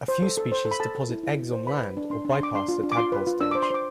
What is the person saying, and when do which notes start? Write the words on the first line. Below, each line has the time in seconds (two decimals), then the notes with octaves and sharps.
A few species deposit eggs on land or bypass the tadpole stage.
0.08 C5
0.22 A4
0.37 A4
0.52 C5
0.65 A4
0.71 B5
0.80 A4 A5
0.95 A4
1.09 E4
1.23 E4
1.38 E4
1.52 C5
1.67 B4 B5
1.82 B4
1.97 D4
2.10 D4 C6
2.25 D4
2.32 C6
2.40 D4 D6
2.55 D4 C6
2.68 F4
2.83 D4
2.92 D6
2.97 F4 C6
3.12 B4
3.27 F4
3.41 D4 E6
3.51 D6
3.55 C5
3.63 C6
3.70 C5 D6